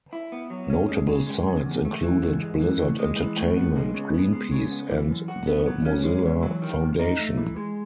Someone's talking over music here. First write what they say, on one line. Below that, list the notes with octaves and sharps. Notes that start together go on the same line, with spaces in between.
Notable sites included Blizzard Entertainment, Greenpeace, and The Mozilla Foundation.
E4
B3
F#3
C#4
G#3
C#3
G#3
C#3
E2
A3
E3
G#2
G#3
E3
A2
G#3
E3
A2
B3
G#3
C#3
B3
G#3
C#3
B3
E3
F#2
F#4
B3
F#3
C#4
G#3
E3
F#3
D#3
E2
D#4
A3
E3
G#3